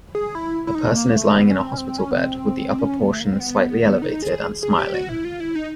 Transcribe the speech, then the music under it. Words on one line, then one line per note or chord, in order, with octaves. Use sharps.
A person is lying in a hospital bed with the upper portion slightly elevated and smiling.
G#4
E4
E4
D#4
A3
A#3
A3
B3
C#4
C4
C#4
C4
C#4
B3
C4
C4
C#4
B3
A3
A#3
C4
B3
D#4
G#4
G#4
G4
F#4
E4
F4
E4
D#4